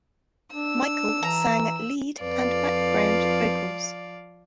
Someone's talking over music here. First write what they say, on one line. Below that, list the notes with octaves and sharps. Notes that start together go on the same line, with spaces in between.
Michael sang lead and background vocals.
D4 E6
E3 A#5
F2 F3 B4 D5 F5